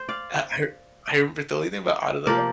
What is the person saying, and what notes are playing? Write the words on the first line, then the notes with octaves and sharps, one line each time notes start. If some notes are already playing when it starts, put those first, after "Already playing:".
uh, I r I remember the only thing about Out of the
Already playing: C5
D5 F5
C3 F3 A#3 A#4 D5